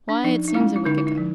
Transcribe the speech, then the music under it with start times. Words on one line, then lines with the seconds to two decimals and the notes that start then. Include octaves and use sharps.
Why it seems a week ago.
0.09 D4
0.24 F3 D#4
0.48 D#4
0.54 G#3 C#4 E4
0.76 E4
0.85 D3 D#4
0.98 E4
1.07 D#4
1.18 F3